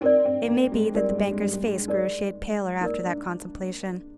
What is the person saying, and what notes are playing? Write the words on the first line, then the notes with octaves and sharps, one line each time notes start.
It may be that the banker's face grew a shade paler after that contemplation.
C4 D#4 A#4 D5
C4
A#3
G#3
G3 D#4 A#4 D5
G#3
G3
G#3
G3
G3
G#3
G#3 D#4 A#4 D5
A#3 D#4 A#4 D5
D4